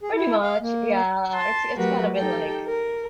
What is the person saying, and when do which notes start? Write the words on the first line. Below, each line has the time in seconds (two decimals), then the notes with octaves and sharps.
Pretty much, yeah, it's it's kinda been like
0.01 G#4
0.14 E4
0.43 F5
0.61 A#3
1.34 A5 C6
1.76 F#3 A3 F#4 G4 A#4 B4
2.15 D#4 G4 A4 G5
2.67 A#4